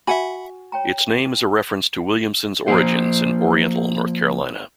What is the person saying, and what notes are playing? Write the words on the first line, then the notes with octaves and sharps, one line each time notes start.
Its name is a reference to Williamson's origins in Oriental, North Carolina.
F#4 E5 F#5 G#5 B5
C#5 G5 A#5
F3 A#3 C5